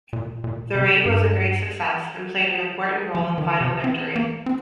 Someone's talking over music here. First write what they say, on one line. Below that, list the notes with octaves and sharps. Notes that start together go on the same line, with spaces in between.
The raid was a great success, and played an important role in final victory.
A#2
A#2
C3
G2
F3
D#3
C3
C4
A#3
C4